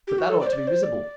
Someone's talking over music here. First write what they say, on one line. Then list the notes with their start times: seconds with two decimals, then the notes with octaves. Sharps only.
"But that ought to be visible."
0.07 G4
0.18 F#4
0.30 A4
0.41 D5
0.47 C5
0.53 D5
0.67 C5
0.83 D5